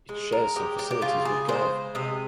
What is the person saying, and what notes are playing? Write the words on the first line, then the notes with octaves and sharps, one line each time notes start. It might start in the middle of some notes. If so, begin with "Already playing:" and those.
It shares some facilities with Gov.
G#3
A#4
G#3 G4
G4
G4
C#3 F4
G#4
G#3 C5
C3 D#5